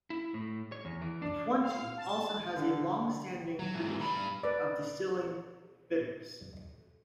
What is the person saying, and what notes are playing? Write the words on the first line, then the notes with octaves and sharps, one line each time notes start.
Twente also has a longstanding tradition of distilling bitters.
E4
A2
C#5
E2
E3
D4
F5
A5
D3
F#3
G#2 E3
G2 B5
B4 D5